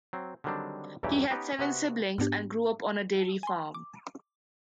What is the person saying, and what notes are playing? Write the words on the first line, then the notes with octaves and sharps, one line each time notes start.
He had seven siblings, and grew up on a dairy farm.
F#3 C4
D3 D#3 F#3 G3 C4 D4
B1 E2 G2 E3 F#3 G4
B3 C#4 D#4 G4 B4
C3 B3 F#4 F#5
G#2 B3 D4 G4
G#5 C6
D6